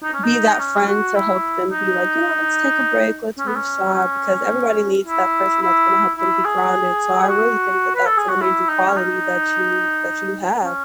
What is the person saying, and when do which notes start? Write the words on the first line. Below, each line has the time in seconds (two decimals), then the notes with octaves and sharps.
eh, be that friend to help them be like, "You know, let's take a break, let's move aside," because everybody needs that person that's gonna help them be grounded, so I really think that that's an amazing quality that you that you have.
0.03 D#4
0.13 C#4
0.23 D#4
0.59 C#4
0.87 F#4
1.15 E4
1.71 D#4
3.38 C#4
3.47 B3
3.56 C#4
3.94 C#4
5.06 E4
5.61 E4
6.17 E4
6.45 G#4
7.22 G#4
7.28 F#4
7.95 B4
8.06 A4
8.17 G#4
8.29 F#4
8.41 E4
8.68 D#4
8.88 C#4
8.96 D#4
10.64 C#4